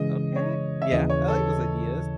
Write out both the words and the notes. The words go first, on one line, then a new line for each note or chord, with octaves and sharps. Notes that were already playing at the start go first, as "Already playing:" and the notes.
Okay. Yeah, I like those ideas.
Already playing: C#3 E3 G#3 D#5
C#5
E5
D#2 C#3 E3 D#5
C#5
A4